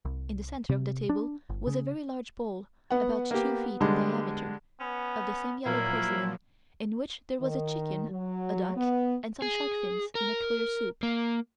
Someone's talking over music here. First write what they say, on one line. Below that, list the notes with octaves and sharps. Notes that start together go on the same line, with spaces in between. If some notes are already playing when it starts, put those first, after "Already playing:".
In the center of the table was a very large bowl about two feet in diameter of the same yellow porcelain, in which there was a chicken, a duck and some shark fins in a clear soup.
C2
C3
D4
G1
C#3
B3 F#5
A#3 G4
D3 G3 G#3
B3 C#4
A#2 F3 F#3 A#3 E4 A#4
D#3
F#3
B3
G#4
A#4
A#3